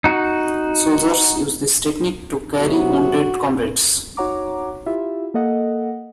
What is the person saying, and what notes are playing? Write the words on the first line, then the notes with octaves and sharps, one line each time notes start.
Soldiers use this technique to carry wounded comrades.
D#4 F#4
C3 F#3 B3 F#4
D#4 F#4 C#5 F#5 A#5 D6
E4 F4 G4 E5
A#3 A4 D#5 F#5